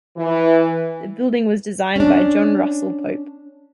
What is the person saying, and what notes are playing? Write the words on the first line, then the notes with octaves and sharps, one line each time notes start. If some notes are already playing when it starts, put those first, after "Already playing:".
The building was designed by John Russell Pope.
E3
C#4 D4